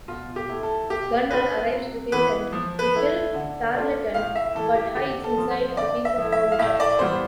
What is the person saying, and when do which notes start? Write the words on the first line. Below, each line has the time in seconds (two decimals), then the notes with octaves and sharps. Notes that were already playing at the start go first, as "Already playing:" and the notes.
Gunner arrives with intent to kill Tarleton but hides inside a piece of furniture.
0.08 B2 F4
0.36 G4
0.49 A3 E4
0.63 A4
0.90 B2 G4
1.30 B3 D4 F4 B4
1.71 C3
2.12 E3 B3 B4
2.53 F3
2.79 B4
2.94 A3 E4
3.34 D3
3.75 A3 D4 F4
4.14 A2 F5
4.36 E5
4.55 E3 A3 E4 A4
4.75 G4
4.96 D3 G4
5.24 A4
5.38 F3 C4 F4
5.51 C5
5.77 D3 D5
6.05 E5
6.18 F3 A3 E4
6.32 E5
6.52 F5
6.59 A2 E5
6.80 D5
6.99 E3 G3 B3 F4 C5